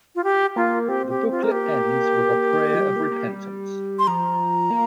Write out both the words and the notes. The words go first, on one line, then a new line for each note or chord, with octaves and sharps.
The booklet ends with a prayer of repentance.
F4
G4
A#3 F4
C4 G4
G4
F4
A#4
A#3 G4
F3
G3
A#3
A#3
G3
C6
F3 A#5
A#3